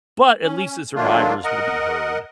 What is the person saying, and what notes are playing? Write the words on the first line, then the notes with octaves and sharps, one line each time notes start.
but at least the survivors will be heard.
C#4
D#3 F#3 A3 A#3 D4 F4
A#4 D#5 F#5